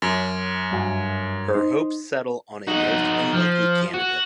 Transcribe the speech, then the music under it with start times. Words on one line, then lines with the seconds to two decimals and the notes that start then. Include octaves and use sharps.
Her hopes settle on a most unlikely candidate.
0.02 F#2
0.71 G2 F#4 G#5
1.54 D#4 C5
2.67 D#4 F#4
3.33 F3
3.94 F#4